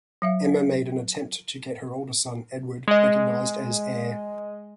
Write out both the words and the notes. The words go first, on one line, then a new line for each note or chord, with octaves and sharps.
Emma made an attempt to get her oldest son, Edward, recognized as heir.
F#3 E5 F5
G#3 D#5